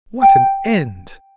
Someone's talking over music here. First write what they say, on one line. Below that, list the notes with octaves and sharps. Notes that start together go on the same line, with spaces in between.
What an end!
G5